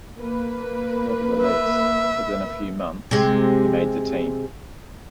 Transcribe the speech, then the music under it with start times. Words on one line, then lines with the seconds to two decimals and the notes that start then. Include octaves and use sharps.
Nevertheless, within a few months he made the team.
0.18 A#3 B4
1.42 E5
3.11 C3 G#3